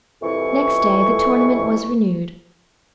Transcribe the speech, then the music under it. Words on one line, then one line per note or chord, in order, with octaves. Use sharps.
Next day the tournament was renewed.
C2 F2 E3 C#6